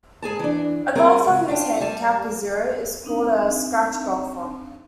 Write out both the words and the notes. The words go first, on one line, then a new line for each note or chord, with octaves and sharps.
A golfer whose handicap is zero is called a scratch golfer.
G#2 G#4 G#5 A5
E3 D4
G3 C4 C#4 G#4 A#4
G#2 C#3
D4 F4 G5
G3 G#5 A5
C4 D4 D#4